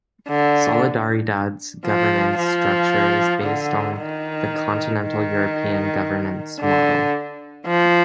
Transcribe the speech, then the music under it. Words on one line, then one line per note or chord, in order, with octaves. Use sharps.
Solidaridad's governance structure is based on the continental European governance model.
D3
F3
F3
D3
D#3
D#3
D3
F3